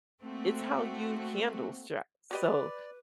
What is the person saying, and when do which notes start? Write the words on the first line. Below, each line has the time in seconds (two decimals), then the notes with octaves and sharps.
it's how you handle stress, so.
0.22 A3 A#3 C4 F#4
2.31 F#4 G4 B4 D5 D#5 B5 D6 F#6